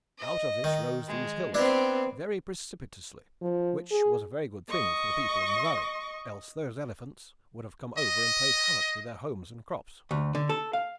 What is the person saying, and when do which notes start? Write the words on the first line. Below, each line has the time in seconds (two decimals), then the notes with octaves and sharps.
Out of this rose these hills, very precipitously, which was a very good thing for the people in the valley, else those elephants would have come over and played havoc with their homes and crops.
0.19 D#5
0.64 D#3
1.08 G#3
1.54 B3 C4 D4 E4
3.42 F3
3.91 G#4
4.69 D#5 C#6
7.98 D#5
10.11 D2
10.35 D3
10.49 A4
10.73 F5